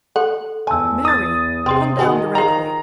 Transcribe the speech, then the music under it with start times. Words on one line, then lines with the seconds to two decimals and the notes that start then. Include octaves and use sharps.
"Mary! come down directly."
0.16 A4 F#5
0.67 E2 G#5 A5 E6
1.05 D#6 A6
1.66 C3 C4 G#4
1.99 D#3 F#4 G#4 A4
2.35 F3 G#4 A#5